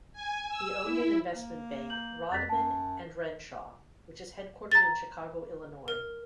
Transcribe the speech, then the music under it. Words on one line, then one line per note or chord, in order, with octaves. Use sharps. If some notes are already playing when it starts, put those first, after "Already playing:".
He owned an investment bank "Rodman and Renshaw" which is headquartered in Chicago, Illinois.
G#5
E6
E4
A#3
A#5 G6 F#7
F2 F#6 A6 B6
F#2 A5
A#5 A6
A#4